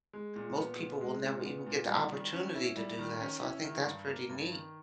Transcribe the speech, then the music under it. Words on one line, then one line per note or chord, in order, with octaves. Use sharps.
most people will never even get the opportunity to do that, so, I think that's pretty neat.
G#3
A#2
B3
A#2
G#3
A#2
B3
A#2
G3
D#3
C#4
E4
G3
D#3
C#4
E4
D#3
G2
A#3
G2
D#3